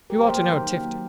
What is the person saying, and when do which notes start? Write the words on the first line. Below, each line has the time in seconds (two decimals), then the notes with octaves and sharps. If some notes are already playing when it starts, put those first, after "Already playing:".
You ought to know Tifto.
0.10 G4 A#4
0.19 F#3 A#3 C5
0.27 G4 A#4
0.46 D#3
0.73 F#3 A#3